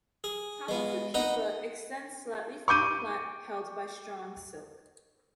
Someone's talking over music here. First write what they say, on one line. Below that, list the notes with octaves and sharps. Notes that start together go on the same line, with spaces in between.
The top of the pupa extends slightly from the plant, held by strong silk.
G#4
G#3 B3
D#4 B4 D#5 F#5
C#6 D6 G6 D#7